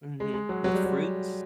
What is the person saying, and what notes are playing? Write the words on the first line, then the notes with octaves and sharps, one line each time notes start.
Mhm. With fruits?
G#3
G#3
F#3
F#3
G3
F#3